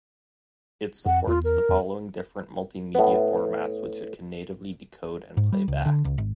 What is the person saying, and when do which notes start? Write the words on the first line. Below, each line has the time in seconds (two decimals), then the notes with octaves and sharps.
It supports the following different multimedia formats which it can natively decode and playback.
1.06 F2 F#5
1.27 E2 F4
1.44 A#4
1.69 E2
2.95 A2 B3
5.37 G#2
5.52 G3
5.68 C#2
5.86 D3
6.05 C#2
6.18 G#1